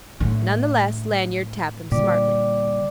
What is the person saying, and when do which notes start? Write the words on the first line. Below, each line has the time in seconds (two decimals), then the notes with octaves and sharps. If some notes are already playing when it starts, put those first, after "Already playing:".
None the less, Lanyard tapped them smartly.
0.20 A2 D3
1.92 A#2 D3 G3 D5 D6